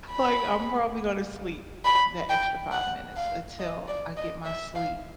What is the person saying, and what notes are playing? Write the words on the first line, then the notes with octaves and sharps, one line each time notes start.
Like, I'm probably gonna sleep that extra minutes, until I get my sleep
B5
B5
G5
F#5
F5
D#5
D5
D#5
E5
F5